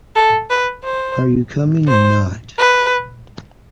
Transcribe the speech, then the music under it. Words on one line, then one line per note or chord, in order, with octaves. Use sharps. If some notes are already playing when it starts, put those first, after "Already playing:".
Are you coming or not?
A4
B4
C5
C5
B4